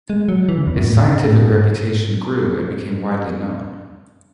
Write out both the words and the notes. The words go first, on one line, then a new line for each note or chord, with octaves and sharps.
His scientific reputation grew and became widely known.
G#3
F#3
E3
C#3
E2
F#2
A2
C#3
A2
G#2